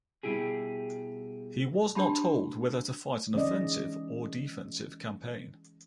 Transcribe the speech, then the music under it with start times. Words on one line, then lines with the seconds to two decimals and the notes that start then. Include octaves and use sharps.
He was not told whether to fight an offensive or defensive campaign.
0.23 B2 F#3 G3 E4 G4 G#4
1.95 D4 G4 G5 A5 B5 C6
3.35 E3 G#3 C#4 D5 D#5